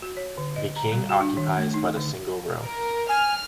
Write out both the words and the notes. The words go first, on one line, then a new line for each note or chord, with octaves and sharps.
The king occupies but a single room.
F#4
C#5
D3
D#5
A#5
G3
F#4
D4
D#3
A3
D#4
D3
A#4
G#5 F6